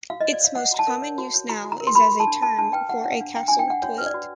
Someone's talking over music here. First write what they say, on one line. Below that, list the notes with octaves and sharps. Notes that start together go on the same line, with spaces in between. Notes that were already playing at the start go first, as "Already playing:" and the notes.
Its most common use now is as a term for a castle toilet.
F#4 F5
D#5
C#5
D5
C#5 F5
C#5 F#5
F#4 A#5
A5
A#4
C#5
F#4
C#5
F#4 A#5
F#4
A#5
A#4
C6
G4 B5
G4
A5
D4
G4 A5
D4 A5
B4 G5
G4 F#5
D4 F#5
F5
D4
D4 G5
G#5
D4
G5
D4 F#5
F#4 C#5
B4
D5
F#4